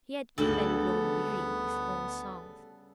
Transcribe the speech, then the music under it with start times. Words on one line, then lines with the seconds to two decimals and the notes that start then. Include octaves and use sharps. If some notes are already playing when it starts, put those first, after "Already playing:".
He had even grown weary of his own songs.
0.38 D2 C#3 G3 B3 A4 G5 F#7